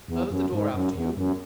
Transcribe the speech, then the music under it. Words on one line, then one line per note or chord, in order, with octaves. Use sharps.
'Close the door after you.
E2
F#2
G#2
F#2
E2
F#2